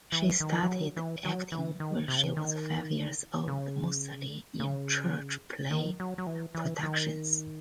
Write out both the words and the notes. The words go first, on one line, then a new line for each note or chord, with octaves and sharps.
She started acting when she was five years old, mostly in church play productions.
E3
D#3
E3
F#3
E3
F#3
E3
D#3
C3
C#3
C3
D#3
C#3
C#3
D#3
F#3
F#3
E3
E3
D#3